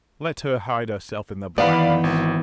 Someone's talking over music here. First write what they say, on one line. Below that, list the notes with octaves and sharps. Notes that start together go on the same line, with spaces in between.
Let her hide herself in the blackness.
D#3 E3 B3 D5 F5 B5
G#1